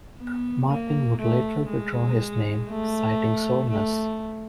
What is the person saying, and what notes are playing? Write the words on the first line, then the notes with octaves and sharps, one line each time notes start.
Martin would later withdraw his name, citing soreness.
B3
A#3
A3
G#3
A3
A3